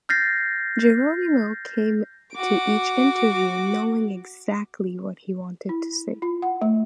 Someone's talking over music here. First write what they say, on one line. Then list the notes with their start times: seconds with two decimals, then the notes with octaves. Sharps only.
Geronimo came to each interview knowing exactly what he wanted to say.
0.09 F6 G6 A6 A#6 C7
2.34 F#4 D6
5.69 E4
6.22 F4
6.42 F#5
6.62 A3